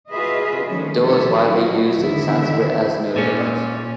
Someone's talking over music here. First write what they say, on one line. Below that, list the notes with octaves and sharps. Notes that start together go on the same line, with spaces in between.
The dual is widely used in Sanskrit, as noted above.
F4 F#4 G#4 B4 D#5 E5
D#3 F3 G3 A3 C#4
F3 C#4 A4 C#5 E5
F#3 D#4 E4 F#4
E2 D3 D#3 E4 E5
A#2 C#4